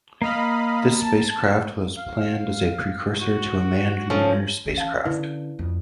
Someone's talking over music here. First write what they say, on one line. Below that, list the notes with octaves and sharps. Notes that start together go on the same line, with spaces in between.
This spacecraft was planned as a precursor to a manned lunar spacecraft.
A#3 D#5 F5 B5 F6
A5
F5
F#4
C#3 F3 C#4 A4
E3 C#4
F5 A5
D3 C#4 E4 B4 D5
F2